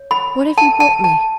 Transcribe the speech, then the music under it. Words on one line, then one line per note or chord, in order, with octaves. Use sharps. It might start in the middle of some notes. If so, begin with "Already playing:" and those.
What have you brought me?'
Already playing: C#5
B5
A5
A5
A5